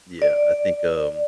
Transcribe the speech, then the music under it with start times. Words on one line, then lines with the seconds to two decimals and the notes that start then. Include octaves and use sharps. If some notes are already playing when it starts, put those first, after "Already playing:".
Yeah, I think, um,
0.22 D5